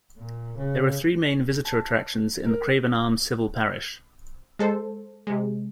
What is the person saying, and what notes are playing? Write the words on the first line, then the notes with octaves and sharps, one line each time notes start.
There are three main visitor attractions in the Craven Arms civil parish.
A#2
C#3
A5
A#4
G#3 A4 C5
C3 G#3